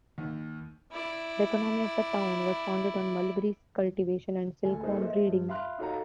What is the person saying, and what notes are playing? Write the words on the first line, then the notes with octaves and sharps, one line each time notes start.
The economy of the town was founded on mulberry cultivation and silkworm breeding.
D#2
E4 D5
D2 A4 G#5
A#3 D#4 G#4 A4 B4 C5
C5 D#5 E5
G2
E5 F5 B5 C6 F6 F#6
D#4 F#4 A4 C#5 F5 A#5